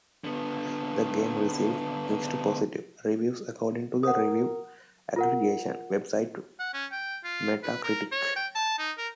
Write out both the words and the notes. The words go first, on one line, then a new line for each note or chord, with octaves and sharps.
The game received "mixed to positive" reviews according to the review aggregation website Metacritic.
D3 B3
A#4 F#5 D#6
F4 A#4 F#5
F#5
C#4
G5
F4
B4
A#4
C#5
G5
A5
D#4
A#4